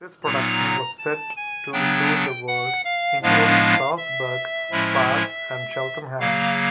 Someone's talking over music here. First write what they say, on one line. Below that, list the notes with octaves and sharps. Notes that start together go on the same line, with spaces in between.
This production was set to tour the world, including Salzburg, Bath and Cheltenham.
A#2 F#3 B3 D#4 A#5
A5
G#5
C#3 F#3 B3 D4 G5
F#5
F5
A2 F3 G#3 B3 D4 F5
E5
A2 F3 G#3 C#4 E4
C#3 F#3 A#3 F5